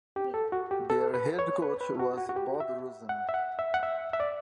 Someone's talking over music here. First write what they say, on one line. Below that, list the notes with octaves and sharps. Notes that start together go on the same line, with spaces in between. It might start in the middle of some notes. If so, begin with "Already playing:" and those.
Their head coach was Bob Rosen.
G4
A4
F#4
G4
A4
B4
C#5
B4
B4
F#4
F#4
F#4
G4
E5
F#5
E5
F#5
E5
F#5
E5
E5
D5